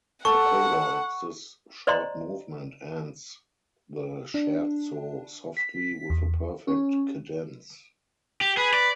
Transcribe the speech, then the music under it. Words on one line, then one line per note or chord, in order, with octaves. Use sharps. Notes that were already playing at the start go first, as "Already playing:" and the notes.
The coda of this short movement ends the Scherzo softly with a perfect cadence.
A4 F#5 C#6
C5 D5 D#5 A#5 C6
D4
B6
E2
C#4
G4
G#4 B4
D5